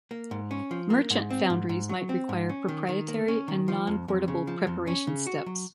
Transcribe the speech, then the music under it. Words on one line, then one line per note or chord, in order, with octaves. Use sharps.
Merchant foundries might require proprietary and non-portable preparation steps.
A#3
G#2
C#4
F3
A#3
G#2
C4
G#2
G#2
F#3
C4
G#2
C#4
D#3
D#3
A#3
C#4
D#3
F3
F2
F2
C#3
F3
F2
C#4
C#3
F#4
F#3